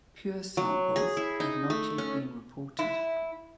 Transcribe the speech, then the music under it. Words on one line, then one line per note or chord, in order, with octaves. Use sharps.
Pure samples have not yet been reported.
F#3
G#4
E4
D#4
A3
C#4
E4